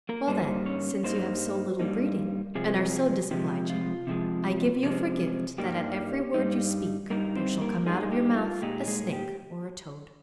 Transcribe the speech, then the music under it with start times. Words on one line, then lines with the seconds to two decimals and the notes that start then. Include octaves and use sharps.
"Well then, since you have so little breeding, and are so disobliging, I give you for gift, that at every word you speak there shall come out of your mouth a snake or a toad."
0.09 A#3 A#4
0.28 G2 G3 A#3 D#4 C5
0.66 C#4 C#5
1.03 G2 G3 A#3 D#4 C5
1.80 G2 G3 A#3 D#4
2.55 C3 F3 G#3 G#4
3.31 C3 F3 G#3 G4
3.70 F4
4.07 C3 F3 G#3
4.83 C3 F3 G#3
5.58 G2 G3 A#3 D#4 G4
6.34 G2 G3 A#3 D#4
7.10 G2 G3 A#3 D#4 A#4
7.35 C4 C5
7.61 A#3 A#4
7.86 G2 G3 G#3 A#3 D#4 G#4
8.12 G4
8.37 F4
8.62 A#2 G#3 D#4 G4
8.87 G#3 G#4
9.13 G4